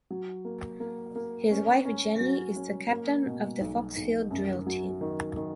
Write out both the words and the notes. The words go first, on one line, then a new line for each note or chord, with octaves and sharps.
His wife Jenny is the captain of the Foxfield Drill team.
F#3
A#3
A#3
A#3
C#4
C#4
F#3
C#4
A#3
B2
B1
B1
F#2
F#3
D#3
D#3